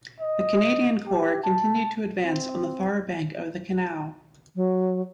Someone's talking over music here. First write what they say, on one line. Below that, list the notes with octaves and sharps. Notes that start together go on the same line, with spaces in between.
The Canadian Corps continued to advance on the far bank of the canal.
D#5
G4
A5
C4
F#3